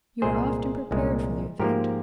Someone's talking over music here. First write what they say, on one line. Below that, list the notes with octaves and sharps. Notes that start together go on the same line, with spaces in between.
You are often prepared for the event.
C2 A#2 G#3 G#4 C5
C2 A#2 G#3
G#2 F3 A#3 G4 A#4